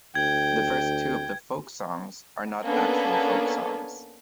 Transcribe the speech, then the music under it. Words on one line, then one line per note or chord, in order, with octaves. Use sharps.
The first two of the "Folk Songs" are not actual folk songs.
D2 G5 G#6
A#3 B3 C#4 D4 A4 B4